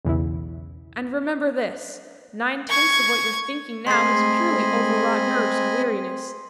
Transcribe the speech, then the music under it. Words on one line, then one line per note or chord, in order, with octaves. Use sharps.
And remember this--nine-tenths of what you're thinking now is purely over-wrought nerves and weariness.
B1 E2 C#3 E4
C#6 G#6
G#3 A3 C4 D#5 G#5 B5 C6 C7